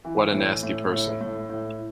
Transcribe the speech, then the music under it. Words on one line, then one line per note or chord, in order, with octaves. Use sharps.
What a nasty person!
E3
A2
A2
A2
A2
A2